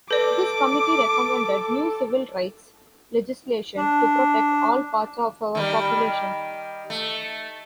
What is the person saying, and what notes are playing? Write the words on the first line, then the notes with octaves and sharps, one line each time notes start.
This committee recommended new Civil Rights legislation to protect "all parts of our population".
A4 B4 D5 D6
D4
D#3 G3
A3